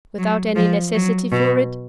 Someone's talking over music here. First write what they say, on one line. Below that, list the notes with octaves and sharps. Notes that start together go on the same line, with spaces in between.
"Without any necessity for it?"
F#3
F3
F#3
B2